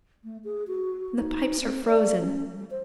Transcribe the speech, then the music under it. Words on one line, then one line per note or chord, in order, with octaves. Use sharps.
The pipes are frozen.
A3
G#4
F#4
D#4
C4
D5
C#4
G3
C5